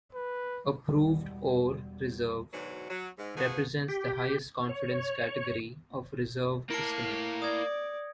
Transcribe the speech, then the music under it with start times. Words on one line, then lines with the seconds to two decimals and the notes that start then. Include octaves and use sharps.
A Proved Ore Reserve represents the highest confidence category of reserve estimate.
0.15 B4
0.88 E1 E2 B2 G3
2.53 G#2 B2 D3 F#3
2.90 F#3
3.18 G#2
3.37 F3 B3 F#4 G#4
3.88 G4
4.69 C#5
6.70 A#3 E4 A5 A#6 C#7 D7
7.42 D5 D#6 G#6